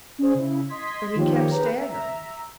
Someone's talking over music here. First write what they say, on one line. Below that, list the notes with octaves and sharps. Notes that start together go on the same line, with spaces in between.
But he kept staggerin'.
C#4 D4 G#4 C5
C#3 E4
D#5 C6 G#6 B6
D#3 F3 A#3 F4 G4 C#5
G#4 B4 G5 A#5
E5 A#5